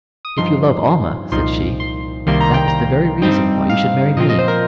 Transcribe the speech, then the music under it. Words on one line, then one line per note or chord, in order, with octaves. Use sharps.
"If you love Almah," said she, "that is the very reason why you should marry me."
D#6
G2 F3 D#4 C6
C2 A#2 F3 D#4 C6
C6
C2 C3 D#3 G3 A#3 C6
A#5
G5
A#5
G2 G3 C4 D#4 G5
F5
A#2 F3 C4 F4 D#5
D#5
C5
A#4